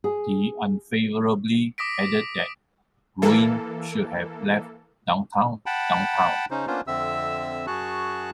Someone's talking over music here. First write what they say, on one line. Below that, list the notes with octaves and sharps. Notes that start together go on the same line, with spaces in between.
He unfavorably added that Gruen should have left downtown, downtown.
G#4
D6 D#6 A#6 B6 D7
E3 A#3 A4
F#5 G5 A5 B5
C#3 C#4 D#4 C5
A#3 B3 C#4 D4 F4 C5
F2 D3 C4 E5 E6
F#2 F#4 G#4 A5 C#6 F#6